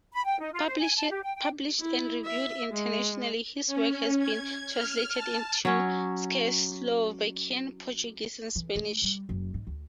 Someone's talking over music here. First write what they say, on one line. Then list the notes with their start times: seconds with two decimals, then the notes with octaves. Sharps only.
Published and reviewed internationally, his work has been translated into Czechoslovakian, Portuguese, and Spanish.
0.13 B5
0.24 G5
0.40 D#4
0.53 F4
0.66 C5
0.78 G#5
0.97 A5
1.10 G4
1.23 G5
1.35 G5
1.80 E4
2.25 E5
2.72 G#3
3.67 C#4
4.19 G#6
4.72 F6
5.14 A5
5.65 F#3 C#4
8.56 E3
8.76 A3
9.02 G3
9.29 F#1
9.54 G#2
9.67 D2